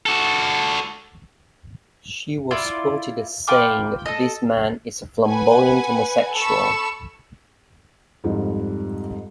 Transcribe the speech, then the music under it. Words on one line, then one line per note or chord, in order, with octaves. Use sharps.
She was quoted as saying, This man is a flamboyant homosexual.
F#4 A4
E4 F4 D5
F4 G5 B5 D6
A4 D#5
B4 F#5 G#5
A4 A5 B5 C#6 E6
F2 G#2 F3 G3